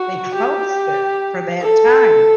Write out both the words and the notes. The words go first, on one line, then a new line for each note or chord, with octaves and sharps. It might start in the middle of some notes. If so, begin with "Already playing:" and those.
they closed it for that time.
Already playing: F#4
G4
A4